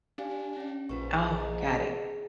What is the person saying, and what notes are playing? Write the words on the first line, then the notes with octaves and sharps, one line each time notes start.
Oh, got it,
D4 G4 F5 G#5
C#4 G5
A#1 G#2 F4 B4 C#6
D#5 A#5
F#5